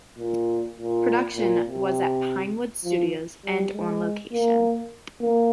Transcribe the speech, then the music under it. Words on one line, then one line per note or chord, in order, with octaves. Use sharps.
Production was at Pinewood Studios and on location.
A#2
A#2
A#2
C3
F3
G3
G#3
A#3
A#3